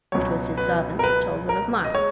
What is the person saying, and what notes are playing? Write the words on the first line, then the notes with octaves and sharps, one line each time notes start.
It was his servant that told one of mine.
C#2 B2 F#3 C#5
B4
A#4
B4
A#4
D#5
G#3 C#5